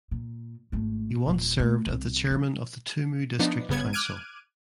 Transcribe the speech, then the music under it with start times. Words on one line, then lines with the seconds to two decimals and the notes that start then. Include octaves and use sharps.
He once served as the chairman of the Tumu District council.
0.11 A#2
0.72 G#1 A3
1.26 D#1 A#2
1.60 D#3 A3
1.87 C2 C4
2.30 D3 F#3
3.39 F3 B3 D4 D#4
3.69 G1 C#3 B3 G#6
3.93 D6 F6 F#6 G#6 D7 D#7